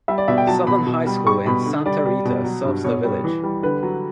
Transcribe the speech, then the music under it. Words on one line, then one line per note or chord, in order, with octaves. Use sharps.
Southern High School in Santa Rita serves the village.
G3 E5
D5
B2 E5
G5
F#3 A5
B2 B5
B2
G3
G3 C#6
B2 B5
D3
G3 D5
G3
B2
F#3
G2
B2 C#5
G3
E3
G3
D3 B4
F#3